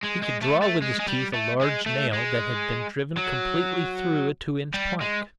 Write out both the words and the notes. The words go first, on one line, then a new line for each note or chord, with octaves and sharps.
He could draw with his teeth a large nail that had been driven completely through a two-inch plank.
G#3
G#3
A3
A3
G#3
G#3
G3
A3
G#3
A3
G#3
F#3
G3
G#3